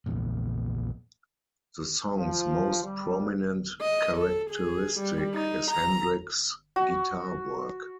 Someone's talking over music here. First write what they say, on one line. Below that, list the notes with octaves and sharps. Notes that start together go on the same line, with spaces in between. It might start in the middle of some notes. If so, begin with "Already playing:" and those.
The song's most prominent characteristic is Hendrix's guitar work.
A#1 E2 A#2
F3
G3
D#5
A4
G#4
G3
D#4
A#5
F#4